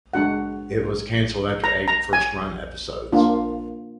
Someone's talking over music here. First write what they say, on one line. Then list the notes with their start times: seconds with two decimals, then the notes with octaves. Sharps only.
It was canceled after eight first-run episodes.
0.14 G#3 D4 F#4 F#5
1.64 A#5
1.88 A#5
2.13 G#5
3.12 A#3 D4 F4